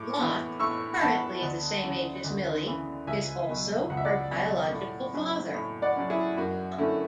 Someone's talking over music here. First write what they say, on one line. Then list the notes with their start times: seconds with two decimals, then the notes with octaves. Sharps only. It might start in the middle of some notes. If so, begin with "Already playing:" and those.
Locke, currently the same age as Millie, is also her biological father.
Already playing: A2 D6
0.19 E3 B3
0.59 A2 C#6 E6
0.97 B5
1.01 E3 B3 F#5 A5
1.42 D2
1.84 C#3 E3
2.24 D2
2.66 C#3 E3
3.07 C#2 E5 G#5
3.49 B2 F#3
3.90 C#2 F#5
3.97 E5
4.05 D5 F#5
4.31 B2 F#3
4.72 A2
5.13 F#3 C#4
5.55 A2
5.82 D5 F#5
5.97 F#3 C#4
6.10 E4 G#4
6.37 F#2 F#4
6.78 D3 A3 C#4 E4